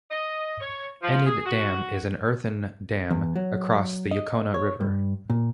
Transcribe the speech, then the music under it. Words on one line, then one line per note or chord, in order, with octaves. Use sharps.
Enid Dam is an earthen dam across the Yocona River.
D#5
C#5
F3
G#4
F#4
E2
F#3
D#5
C#5
G2
A#2